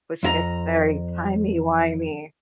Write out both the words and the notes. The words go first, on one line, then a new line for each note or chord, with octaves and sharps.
which gets very timey-wimey.
F2 E4 A#5